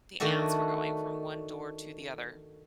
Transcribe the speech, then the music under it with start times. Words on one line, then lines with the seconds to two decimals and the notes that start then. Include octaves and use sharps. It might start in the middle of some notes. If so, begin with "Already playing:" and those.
the ants were going from one door to the other.
0.20 D#3 A3 D4 F#4 A4